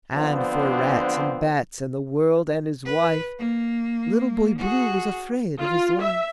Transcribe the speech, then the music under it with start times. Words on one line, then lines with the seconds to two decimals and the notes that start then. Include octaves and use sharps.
And for rats and bats and the world and his wife, Little Boy Blue was afraid of his life.
0.13 D3 F3 B3 C4 D4
2.86 B4
3.39 A#3
4.58 F#4 G#4
5.59 F4
6.00 E5